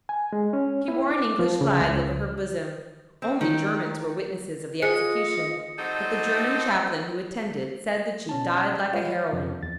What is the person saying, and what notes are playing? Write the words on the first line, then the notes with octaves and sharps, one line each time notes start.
She wore an English flag over her bosom. Only Germans were witnesses of the execution, but the German chaplain who attended said that she died like a heroine.
G#5
G#3
C#4
E4
D6
F3
C#3
C#2
C4
D#3
F4 G#4 C5 D#5 D#6 C#7
G3 A3 C4 D#4 F#4 A4
B2 C#4 A5
F4 B4 C#5 F5 F#5
F2 C3 F3
E2 A6